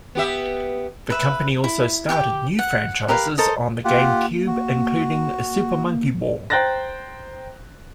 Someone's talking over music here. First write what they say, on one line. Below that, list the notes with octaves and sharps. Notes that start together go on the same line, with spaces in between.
The company also started new franchises on the GameCube including "Super Monkey Ball".
B3 G4 E5
B4 E5 B5
E4
G4 G5 C#6 D6
F#5
G4 A#4 B4 F5
A4 A#4 C5 D#5
A#3 F4 G4 F#5
F#4
C5 G5 A#5 F#6 A6 A#6